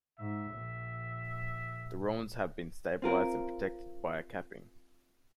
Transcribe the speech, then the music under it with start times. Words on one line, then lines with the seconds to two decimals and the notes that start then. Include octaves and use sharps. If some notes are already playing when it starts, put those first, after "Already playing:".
The ruins have been stabilised and protected by a capping.
0.19 G#2 E5
0.51 A#1
3.02 C4 F4 A#4